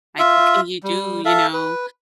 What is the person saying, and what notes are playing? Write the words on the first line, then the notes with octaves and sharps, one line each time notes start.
Like, what can you do?" You know,
F4 E5
G3
A4 E5 F5
B4